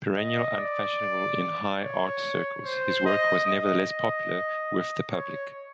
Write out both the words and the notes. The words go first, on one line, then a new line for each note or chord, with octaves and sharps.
Perennially unfashionable in high art circles, his work was nevertheless popular with the public.
D#5
D5
C#5
C5
D#5
D#5
C#5